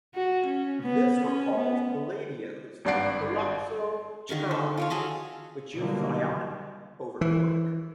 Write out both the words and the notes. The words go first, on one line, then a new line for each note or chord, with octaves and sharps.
This recalls Palladio's Palazzo Chiericati, which uses Ionic over Doric.
F#4
C#4
B3
C#4
B3
G#1 G2 D5 F#5 C7 D7
D3 D#3 F5 C#6
A4
F4 C#5 F5
F#4 G#4 A4 F5
B2 D3 D#3 F#3 G3 A#3
E3